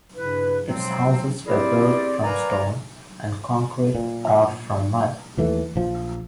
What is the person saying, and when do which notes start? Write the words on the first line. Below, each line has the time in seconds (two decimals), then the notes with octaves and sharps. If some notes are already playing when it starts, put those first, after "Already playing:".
Its houses were built from stone and concrete or from mud.
0.15 G2 C#3 E4 B4
0.66 B2 F3 F#3 G#3 C4
1.46 C4 E4 G4 G#4 A#4 D5
2.22 A#4 B4 D5 F5 G#5 A#5
3.95 A#2
5.37 D#2 E3 A3
5.76 A#1 F3